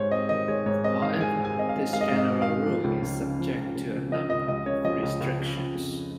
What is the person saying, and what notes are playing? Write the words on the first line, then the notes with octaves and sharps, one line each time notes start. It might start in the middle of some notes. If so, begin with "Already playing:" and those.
However, this general rule is subject to a number of restrictions.
Already playing: G#2 G#3 C5 C#5
C4 D#5
D#3 D#5
G#3 C#5
G#2 C#5
C4 D#5
D#3 F5
G#3 G#5
G#2
G#5
C4 D#5
F5
D#3
G#3 F5
D#5
F5
G#2
D#5
C4
F5
D#3
F3
C#2
C#2
C#3
F3
C#2
C#2
C#3
F3 D#5
C#2 D#5
C#2 D#5
C#3 C#5
F3 D#5
C#2
C#2
C#3
F3
F2